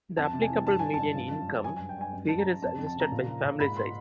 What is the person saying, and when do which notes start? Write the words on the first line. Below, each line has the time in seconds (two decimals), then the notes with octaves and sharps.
The applicable median income figure is adjusted by family size.
0.17 F2 A5
0.33 C3
0.42 G#5
0.50 E3
0.67 G2 A5
0.79 G2 G#5
0.94 A5
0.99 G2
1.15 F3
1.31 F#2
1.48 F#2
1.64 F#3 G#5
1.77 G2 G#5
1.89 G5
1.97 G2 G#5
2.13 F#2
2.29 F#2 A5
2.39 A#5
2.46 F#2
2.62 F2 A5
2.78 F2
2.86 A5
2.96 C#3 A#5
3.12 A#2
3.28 F3
3.45 A#2
3.60 G#2 B5
3.77 C6